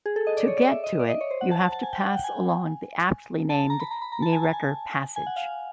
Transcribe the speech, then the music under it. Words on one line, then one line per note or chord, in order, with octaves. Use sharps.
To get to it you have to pass along the aptly named Knee-wrecker Passage.
G#4
A4
D#5
D5
C#5
D5
E5
D#5
D5
D#5
C#5
C5
F#5
A5
A5
A5
G#5
G5
F#5
G5
G#5
A5
A5
A#5
B5
A#5
B5
A#5
A5
G#5
A5
G#5
G#5
F#5
F5